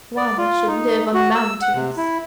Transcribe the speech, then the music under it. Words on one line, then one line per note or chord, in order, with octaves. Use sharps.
One should live on mountains.
D5
F4
D#4
F#4
E6
F#5
C3
E4